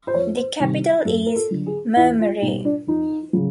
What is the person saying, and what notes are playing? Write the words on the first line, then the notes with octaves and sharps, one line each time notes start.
The capital is Maumere.
C5
F2 C#5
C5
C3 D#3 G3
F#2 A4
A#4
A4
D3 F#3
G#4
E2 E4
F4
B2 G3 D#4
D4
F2 D#4
C#3 F#3